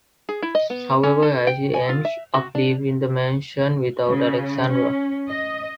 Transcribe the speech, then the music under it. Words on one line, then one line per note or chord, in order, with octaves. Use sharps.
However, Agi ends up leaving the mansion without Alexandra.
G#4
E4
D#5
B3
C#4
A4
G5
G#5
F4
E5
F#4
D4
C#3
C#4
D#5